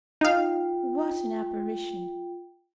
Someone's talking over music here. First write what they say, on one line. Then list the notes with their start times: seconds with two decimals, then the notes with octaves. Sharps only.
What an apparition!
0.21 D#4 F4 F5 G5